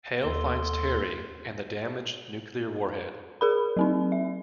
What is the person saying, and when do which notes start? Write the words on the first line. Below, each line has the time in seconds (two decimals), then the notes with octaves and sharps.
Hale finds Terry and the damaged nuclear warhead.
0.23 D#2 A4 C6
3.41 G#4 A#4 B5
3.77 F#3 C4 D#4
4.12 E5